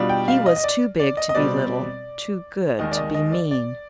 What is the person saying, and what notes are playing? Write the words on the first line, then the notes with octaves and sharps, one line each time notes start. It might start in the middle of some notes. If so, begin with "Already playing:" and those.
He was too big to be little, too good to be mean.
Already playing: B2 G3 D4 F4
G5
F5
D#5
D#5
D5
D5
D#5
D#5
B2 G3 C4 D5
D#2 D#3 G#3 D#5
D5
D#5
D#5
D5
D5